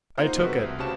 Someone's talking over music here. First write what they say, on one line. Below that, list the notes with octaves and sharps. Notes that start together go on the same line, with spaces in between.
I took it.
A#3 D#4 F4 G#4 C5 F#5
C3 G3 A3 F#4 A#4 B4
C2
C#3 F#4 G4 C5 A5 E7